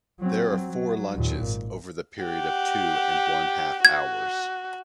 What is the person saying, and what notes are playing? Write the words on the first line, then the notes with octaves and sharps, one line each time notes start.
There are four lunches, over the period of two and one half hours.
F#3 C4
F#3
D#2 A#2
G#1
G4 F#5
F#4 G#6